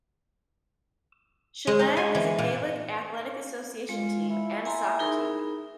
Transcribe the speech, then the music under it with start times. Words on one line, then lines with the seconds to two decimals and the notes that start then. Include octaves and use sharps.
Shillelagh has a Gaelic Athletic Association team and a soccer team.
1.67 G#3
1.79 D#4
1.97 G#5
2.15 E3
2.38 A#2
3.89 G#3 F4
4.30 E4
4.65 G#5 A#5 C6
4.99 D#4 G#4 A#4